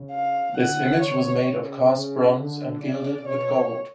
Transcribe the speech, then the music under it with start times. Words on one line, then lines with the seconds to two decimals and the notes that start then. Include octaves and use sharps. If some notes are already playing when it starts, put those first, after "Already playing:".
This image was made of cast bronze and gilded with gold.
Already playing: C#3
0.12 F5
0.56 D3 F#5
1.02 C#5
1.47 C#3
1.92 C#3
2.37 D3
2.81 C#3 D5
3.26 B2 C#5